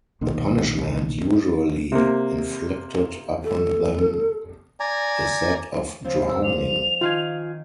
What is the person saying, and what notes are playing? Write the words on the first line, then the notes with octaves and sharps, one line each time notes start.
The punishment usually inflicted upon them is that of drowning.
B1 A#2 D3 D#3
C3 A#3
A4
D5 G#5 A#5
C#3 F3 C4
E6
D4 F7
D#3 F4 F5 G#5